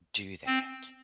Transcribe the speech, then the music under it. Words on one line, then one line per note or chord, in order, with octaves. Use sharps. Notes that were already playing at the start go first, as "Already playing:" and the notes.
do that
C4